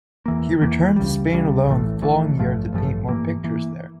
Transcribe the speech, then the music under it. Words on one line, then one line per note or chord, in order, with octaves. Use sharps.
He returned to Spain alone the following year to paint more pictures there.
E2 E3 A#3
E2 E3 A#3
C#2 C#3 G3
C#2 C#3 G3
A1 A2 E3 A3
A1 A2 E3 A3
A1 G2 F3 A3
A1 G2 F3 A3
G2 E3 A#3
E3 A#3